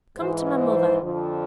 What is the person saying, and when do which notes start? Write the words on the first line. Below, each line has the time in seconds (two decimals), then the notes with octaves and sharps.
Come to my mother.
0.16 G#2 E3 C5
0.58 C5
1.00 F2 D3 F3